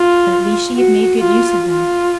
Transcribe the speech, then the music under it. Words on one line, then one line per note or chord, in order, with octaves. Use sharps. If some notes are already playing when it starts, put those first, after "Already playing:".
But at least she had made good use of them.
Already playing: F4
F#4
F4
F4